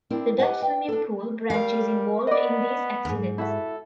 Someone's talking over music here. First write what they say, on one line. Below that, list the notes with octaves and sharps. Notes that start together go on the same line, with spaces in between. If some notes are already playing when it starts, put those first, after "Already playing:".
The Dutch swimming pool branch is involved in these accidents.
C4 D4 E4 A#4
G4 B4 D#5 F#5 G#5
G5
D4 A4
G3 A#4 F5
B3 D5 D#5
D#2 G#2
E4 F#4 A4 E5